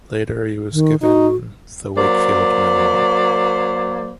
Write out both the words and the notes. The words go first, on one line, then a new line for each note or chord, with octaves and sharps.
Later he was given the Wakefield manor.
D#3
D#4 F#4
F#3 A#3 C5 D5